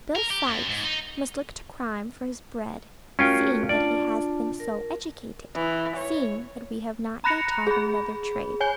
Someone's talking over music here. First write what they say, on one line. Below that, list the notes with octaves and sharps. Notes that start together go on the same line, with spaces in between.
Bill Sykes must look to crime for his bread, seeing that he has been so educated, seeing that we have not yet taught him another trade.
A#4
G4
F#2
G#2
D#4
A3 C#4 F4 F#4 A#4 G5
D4 F4 D5 A5
A#4
E3
C#5
A#5 B5 F#6 A#6 C#7 F7
G#4 B5
C#5 G#5 G6 G7